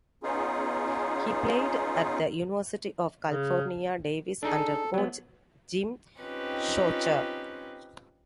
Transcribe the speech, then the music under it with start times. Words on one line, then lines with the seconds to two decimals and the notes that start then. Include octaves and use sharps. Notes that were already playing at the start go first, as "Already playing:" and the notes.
He played at the University of California, Davis under coach Jim Sochor.
0.23 B3 C#4 D#4 F4 G#4
3.26 C#3
4.43 D4 D#4 G#4 A4
4.94 F#3 B3
6.19 C4 C#4 D#4 F4 G4 B4